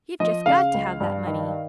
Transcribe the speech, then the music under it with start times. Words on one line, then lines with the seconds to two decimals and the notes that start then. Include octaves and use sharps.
We've jest got to have that money.
0.20 F3 D#5
0.46 C#3 F5
0.74 C#2
1.00 G2
1.27 D#3